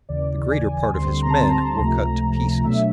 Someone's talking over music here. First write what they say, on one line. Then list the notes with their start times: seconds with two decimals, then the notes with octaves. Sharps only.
The greater part of his men were cut to pieces.
0.09 D#2 C#3 E3 D5
0.51 G#5
0.94 D2 D3 G3 C4 C6
1.22 A#5
1.30 A5
1.38 A#5
1.50 A#5
1.79 C#2 C3 F3 A3
2.64 B2 F#3 A3 D4 E5